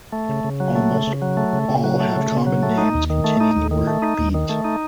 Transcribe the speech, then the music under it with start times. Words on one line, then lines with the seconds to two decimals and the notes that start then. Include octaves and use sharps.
Almost all have common names containing the word "beet".
0.12 A3
0.29 C#3
0.44 C#3
0.60 F#3
0.75 A3
0.90 C#3
1.07 C#3
1.22 F#3
1.37 A3
1.53 C#3
1.69 C#3
1.84 F#3
2.00 A3
2.16 C#3
2.32 C#3
2.47 F#3
2.63 A3
2.78 D#4
2.94 D#2
3.10 D#3
3.24 A3
3.41 D#4
3.57 D#2
3.71 D#3
3.87 A3
4.02 D#4
4.19 D#2
4.34 D#3
4.49 A3
4.65 D#4